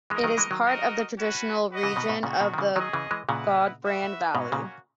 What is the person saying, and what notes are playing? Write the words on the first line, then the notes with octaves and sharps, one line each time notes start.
It is part of the traditional region of the Gudbrand Valley.
E3 G#3 D#4 A#4 D#5
D#3 F#3
E3 G#3
D#3 F#3
D#4 F#4 A#4 D#5
C#4 F#4 B4
F#4 B4 D#5
C#3 E3
B2 D#3
G#2 B2
A#2 C#3 G#3 B3 F#4
B2 D#3
D#3
C#3 E3
D#3 F#3 C#4 G#4 D#5
C#3 E3
E3 G#3
A#2 C#3 E4 B4 D#5 F#5
F#4 B4 E5
G#2 B2 A#3 C#4 F#4
A#2 C#3